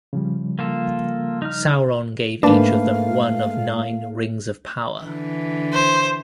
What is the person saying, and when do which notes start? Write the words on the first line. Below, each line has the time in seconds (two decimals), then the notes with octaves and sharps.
Sauron gave each of them one of nine Rings of Power.
0.13 C#3 F3 G3
0.59 A#3 F4 A4
1.42 D#4 F6
2.43 G#2 A3 A#3 D4 B4 F5 A5
5.02 D3 E3
5.73 C5